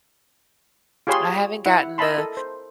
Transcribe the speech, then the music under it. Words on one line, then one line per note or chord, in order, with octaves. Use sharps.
I haven't gotten the
F4 G4 G#4 C#5 B5 C6
E4 F#5
A#4 D#5 E5 A5 B5 C6
A4
C5